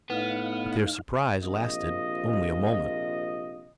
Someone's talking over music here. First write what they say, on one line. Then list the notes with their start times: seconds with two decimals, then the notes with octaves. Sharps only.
But their surprise lasted only a moment.
0.10 A2 B3 D#4 F5
1.42 A#1 C3 F4 D#5